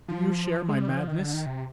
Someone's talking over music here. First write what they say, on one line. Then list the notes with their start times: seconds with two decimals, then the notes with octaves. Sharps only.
Do you share my madness?
0.08 F3
0.68 G#3
0.81 G3
0.88 D#3
0.93 F3
1.08 D#3
1.21 D3
1.34 D#3
1.46 C3